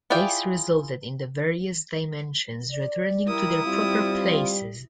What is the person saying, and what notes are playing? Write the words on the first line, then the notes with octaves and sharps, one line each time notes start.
This resulted in the various dimensions returning to their proper places.
E4 F4 G#4 D5 G5
D5
G3 E4 A#4 D#6
G3 C4 F4